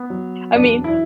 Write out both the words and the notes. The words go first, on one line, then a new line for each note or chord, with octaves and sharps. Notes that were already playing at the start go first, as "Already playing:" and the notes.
I mean
Already playing: B3
F#3
E1 D4
E4